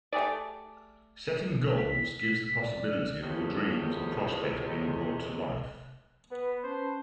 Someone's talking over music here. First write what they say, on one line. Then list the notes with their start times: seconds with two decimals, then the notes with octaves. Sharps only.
Setting goals gives the possibility of your dreams and prospects being brought to life.
0.12 A3 G4 G#4 D5
1.77 B6
2.62 D5
3.22 E2 A2 C3 C#4 F4 D#5
6.31 B3 B4
6.64 C#4 C5 A5